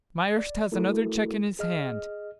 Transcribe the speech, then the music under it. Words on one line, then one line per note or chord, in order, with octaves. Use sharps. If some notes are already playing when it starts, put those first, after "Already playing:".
Myerst has another cheque in his hand.
D5
A3 E4 F#4 A4 A#4
G#4 D#5 F6